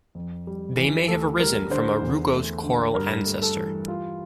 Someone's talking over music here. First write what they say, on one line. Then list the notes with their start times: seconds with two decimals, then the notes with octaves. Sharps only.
They may have arisen from a rugose coral ancestor.
0.15 F2
0.47 G3
0.77 E3
1.08 D2 A4
1.40 G3 A#4
1.70 D3 C5
2.02 E2
2.33 A3
2.63 D3
2.95 G2 A#4
3.26 A3
3.42 A4
3.57 E3
3.88 G3 F4